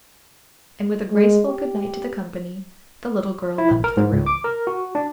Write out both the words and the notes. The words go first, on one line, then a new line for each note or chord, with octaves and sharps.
And with a graceful good-night to the company, the little girl left the room.
G#3
G4
E4
A#1
A#4
G#2
C#2
D6
A#4
F#4
D4